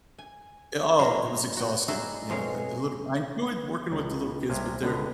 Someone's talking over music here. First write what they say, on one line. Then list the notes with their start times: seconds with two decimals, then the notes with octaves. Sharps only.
uh, oh, it was exhausting. You know, the the little I enjoyed working with the little kids, but they're
0.18 G#5
0.99 F#3 F5 G#5 A#5
1.57 F#4 G5
1.88 D#4 E4 F#4 G#4 D5 E5
2.30 F2 B2 G#3 G#4 C#5 F5
3.92 C#2
4.49 C2 C3 F5 G#5
4.82 C#2 D3 B3